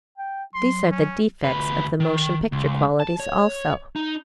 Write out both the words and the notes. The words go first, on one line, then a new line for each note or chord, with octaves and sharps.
These are the defects of the motion picture qualities also.
G5
F#3 C6
C#4
D2 B4
D#3
C#2
A5
C#5
D#4